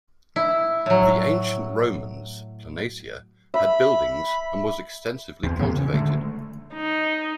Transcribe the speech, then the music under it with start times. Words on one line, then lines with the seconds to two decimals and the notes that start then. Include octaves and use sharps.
The ancient Romans' "Planasia" had buildings and was extensively cultivated.
0.36 E4
0.86 A2 F#3
3.54 E5 B5
5.43 E2 C4
5.59 A2 E3 F#3 B3
5.75 C#3 C#4
5.93 D3 G#3 A3
6.73 D#4